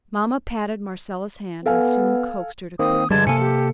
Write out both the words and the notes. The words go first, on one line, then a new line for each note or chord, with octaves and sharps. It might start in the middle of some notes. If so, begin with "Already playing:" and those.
Mamma patted Marcella's hand and soon coaxed her to quit sobbing.
B3 A4 F5 G#5
D#3 A#3 C4 D#6
G2 D3 G3 G#3 A5 G#6
C3 A#3 A4 G#5 C#7
G4